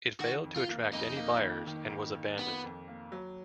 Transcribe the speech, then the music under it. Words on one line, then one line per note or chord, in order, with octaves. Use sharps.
It failed to attract any buyers and was abandoned.
D#3 F#4
F2
F4
A#3
F2 D#4
A#3
D#3
D#3
D#3
D#3
D#3 B3
F2
A#3
F#3